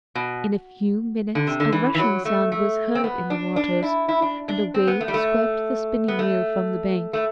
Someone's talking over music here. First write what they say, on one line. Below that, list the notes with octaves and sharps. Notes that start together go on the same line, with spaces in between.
In a few minutes a rushing sound was heard in the waters, and a wave swept the spinning-wheel from the bank.
B2
D3
C3
D3
E3
E3
F#3
A3
A3
C4
B3
D4
D4
E4
E4
D4
D4
C4
B3
A3
G3
A3
B3
A3
A3